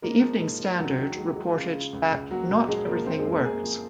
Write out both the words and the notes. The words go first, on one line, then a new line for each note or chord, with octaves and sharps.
The "Evening Standard" reported that "Not everything works".
G#3 A#3 A#4
F3
G#2
G#2
D#2 F#3 F#4
D#3
G#3
G#3
C#3 F4
C#3
C#2
C#2
F#3 A#3 F#4
A#2
F3 G#3 G#4
F3 A#3 A#4
F#2 C4 C5
G#3 G#4
F#2
A#3 A#4
F#2 G#4 G#5
F3